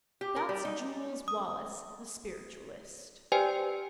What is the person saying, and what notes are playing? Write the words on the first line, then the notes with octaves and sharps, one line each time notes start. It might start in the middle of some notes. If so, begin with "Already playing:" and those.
"That's Jules Wallace, the spiritualist."
G4
A#4
G3
D#4
D#6
G4 B4 C5 D5 G5 G#5